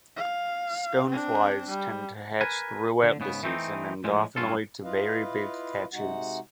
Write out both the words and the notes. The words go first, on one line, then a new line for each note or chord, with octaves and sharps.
Stoneflies tend to hatch throughout the season, and often lead to very big catches.
F5
C4 D4
G3
A#4 B4 G#5
D3
G#2 C#3 B3
E3 A3 C4 D#4
A2 F3 G#3
C#2 G2 F#3 C#4 F4 A4
E4 F4 B4 D#5 F5
C3 G#3 D#4 F#4 F#5